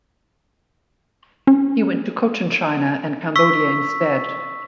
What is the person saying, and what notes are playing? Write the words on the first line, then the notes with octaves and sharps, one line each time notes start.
He went to Cochinchina and Cambodia instead.
C#4
C#6 E6 B6